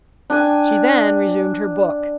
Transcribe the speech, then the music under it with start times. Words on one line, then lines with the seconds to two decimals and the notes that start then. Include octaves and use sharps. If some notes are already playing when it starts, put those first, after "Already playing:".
She then resumed her book.
0.30 D4 G5 G#5